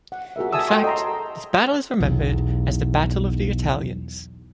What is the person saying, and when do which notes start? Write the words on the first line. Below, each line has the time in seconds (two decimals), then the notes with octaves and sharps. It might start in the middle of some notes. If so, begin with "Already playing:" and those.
In fact, this battle is remembered as the "Battle of the Italians".
0.12 F#5
0.36 F#4 G#4 A#4 E5
0.53 E5 G#5 A5 D#6 E6
0.68 F#4 A4 G5 G#5 C6 C#6
0.84 D#5 A5 A#5 C6
2.00 B1 E2